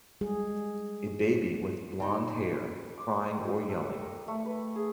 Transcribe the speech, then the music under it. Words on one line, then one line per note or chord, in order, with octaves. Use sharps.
A baby with blondhair crying or yelling.
G3 G#3 G#4
C#3 D#4
D6
G4
A4
A#4
A3
B4
G#4